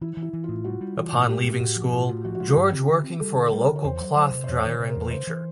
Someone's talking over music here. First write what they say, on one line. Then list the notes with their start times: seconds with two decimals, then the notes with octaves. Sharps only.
Upon leaving school, George working for a local cloth dyer and bleacher.
0.01 E3 E4
0.17 E3
0.22 E4
0.33 E3
0.44 F4
0.48 A2
0.64 G3 F#4
0.81 G3
0.97 E3
1.12 A2
1.29 G#3 G4
1.44 A2
1.50 G4
1.60 A2 F#4
1.76 F3
1.92 A2 F4
2.08 A2 F#4
2.25 F3 F#4
2.35 F#4
2.40 G#3 F4
2.56 G2 G4
2.72 C4
2.89 D3
3.04 C4
3.20 G3 A4
3.36 D3
3.52 G3 A#4
3.69 D3
3.76 C#5
3.84 E2 C5
4.00 F#3
4.16 F#3 C5
4.31 C3
4.44 C5
4.48 E2 C#5
4.64 D#3
4.80 C3
4.90 A#4
4.96 E2 B4
5.11 C#3 C5
5.27 E3